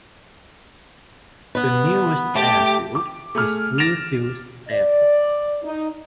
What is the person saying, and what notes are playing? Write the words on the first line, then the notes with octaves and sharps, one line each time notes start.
The nearest airfield is Bluefields Airport.
B3 B4
A3 G4 D6
D6
A3 G#4 F6
A6 A#6 D7 E7 F7
D5
D#4